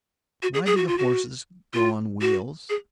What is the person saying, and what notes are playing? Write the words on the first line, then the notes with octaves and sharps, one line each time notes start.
"Why do the horses go on wheels?"
F#4
G#4
G#4
F#4
F4
F#4
F4
F#4
G#4